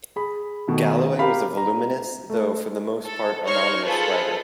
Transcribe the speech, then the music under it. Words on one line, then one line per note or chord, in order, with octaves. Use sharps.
Galloway was a voluminous, though, for the most part, anonymous writer.
G#4 B5
B2 D#3 A3
G4 A#4 F5 B5
A#5
A3
A4
D#4 C5 C#5 C#6 F6
F4 G#4 A4 B4 C5